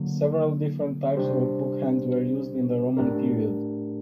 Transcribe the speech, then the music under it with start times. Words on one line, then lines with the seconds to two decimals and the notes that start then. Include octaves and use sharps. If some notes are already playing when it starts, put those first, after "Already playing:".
Several different types of book-hand were used in the Roman period.
Already playing: D3 F#3 A#3
1.17 C3 G3 D4 G4 C5
2.97 A2 A3 D4 G4 A#4